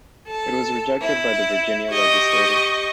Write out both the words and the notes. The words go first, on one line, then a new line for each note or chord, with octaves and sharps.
It was rejected by the Virginia legislature.
A4
E4
G4 D#5 C#6